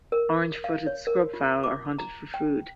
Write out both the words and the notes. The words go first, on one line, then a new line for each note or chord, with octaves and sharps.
Orange-footed scrubfowl are hunted for food.
A#4
F5
C#5
A#4
F4
D6
A#5
G5